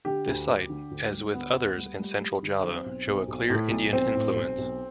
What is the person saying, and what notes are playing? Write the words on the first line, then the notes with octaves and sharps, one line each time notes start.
This site, as with others in central Java, show a clear Indian influence.
D3 G4
D2
D2
D3
D2
G3
D2 B3
D2
G3
G3
G3
D3
F#3 C4
B1
B1
B1
A2
B1
B1 C4
A2
B1
B1